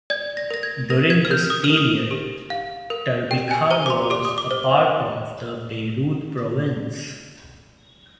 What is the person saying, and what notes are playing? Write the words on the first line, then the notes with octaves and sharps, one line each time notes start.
During this period Tarbikha was a part of the Beirut province.
D5 G#6
A#6
A#4 A#6
G#6
A#4 A#6
G#6
F6
A#4 G6
D#6
F6
A#4
D#6
G4
F5
A#4
G4 G5
G#5
C5 A#5
D6
C6
G4 D6
D#6
D6
C5